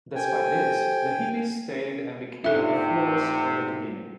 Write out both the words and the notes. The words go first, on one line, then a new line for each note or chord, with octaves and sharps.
Despite this, the hippies stayed and became a force in the community.
G4 A4 C5 G5 G#5
D2 G#2 C3 D4 F4 A4 E5